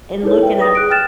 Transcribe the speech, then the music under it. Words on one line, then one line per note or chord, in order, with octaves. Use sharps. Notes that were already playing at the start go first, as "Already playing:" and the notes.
and looking at
D#4 E4 G#4 A4 B4 C#5
B4 E5 G5
D#6 A#6
G#4 F#6 D7
G5 F6 F#6 A6 E7